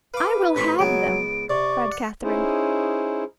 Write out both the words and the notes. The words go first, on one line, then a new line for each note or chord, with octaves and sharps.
"I will have them," cried Katharine.
B4 F5 D6
A1 C4 C#6 B6
C#2 F#3 B3 D7
C3 D5 C#6
F#5
C#4 D#4 E4 G#4 C5